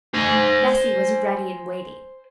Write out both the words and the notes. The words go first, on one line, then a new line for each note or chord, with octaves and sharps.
Bessy was ready and waiting.
C5 G#5